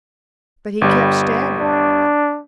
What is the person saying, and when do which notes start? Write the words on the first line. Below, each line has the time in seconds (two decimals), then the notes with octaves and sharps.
But he kept staggerin'.
0.81 G1 G3
1.61 D4